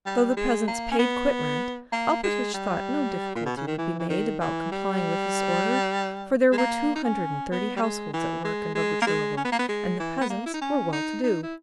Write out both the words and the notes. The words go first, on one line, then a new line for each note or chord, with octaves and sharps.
Though the peasants paid quitrent, Alpatych thought no difficulty would be made about complying with this order, for there were two hundred and thirty households at work in Bogucharovo and the peasants were well to do.
G3
G#3
A#3
C#4
B3
A#3
G#3
G3
A#2
B2
C#3
D#3
E3
E3
D#3
E3
G3
G#3
A#3
D#4
C#4
B3
G3
G#3
E3
G#3
G#3
A#3
G#3
C#4
B3
A#3
B3
G#3
E3
B3
A#3
E4
D#4
C#4
D#4
D#4
E4